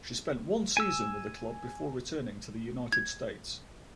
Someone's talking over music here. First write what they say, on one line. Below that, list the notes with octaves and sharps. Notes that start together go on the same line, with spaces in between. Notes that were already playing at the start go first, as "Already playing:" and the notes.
She spent one season with the club before returning to the United States.
G#5 E6
G#6